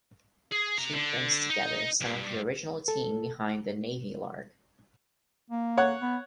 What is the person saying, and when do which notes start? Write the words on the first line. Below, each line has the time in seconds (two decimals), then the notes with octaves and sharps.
She brings together some of the original team behind "The Navy Lark".
0.51 G#4
0.78 C3 A#5
0.94 D3
1.50 D#4
2.01 B1 G2
2.88 A4
5.50 A#3
5.77 C#5 F#5
6.01 B3